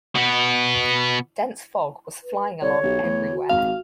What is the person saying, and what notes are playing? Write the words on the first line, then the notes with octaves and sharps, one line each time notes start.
Dense fog was flying along everywhere.
B2 B3
B4
C2 C#5 D5
B1 G4
E2 A3
F#4
G#1 F5